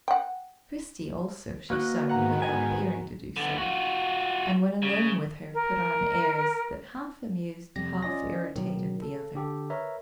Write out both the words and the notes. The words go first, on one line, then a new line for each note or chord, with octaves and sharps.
Christie also she shunned without appearing to do so, and when alone with her put on airs that half amused, half irritated the other.
F#5 G5
A#3 F#4 B4 D#5 F#6
G#2 D#3 B3 F#5 A#5
G#5
D3 B3
F4 F#4
C#3
A#4
F2 C3 G3 G4 A#6
C#4 F4 D5 D#5 G#5 A#6
B2 D#3 F#3
A4
D3 G4 A4
A#4 B4 C#5 E5 A#5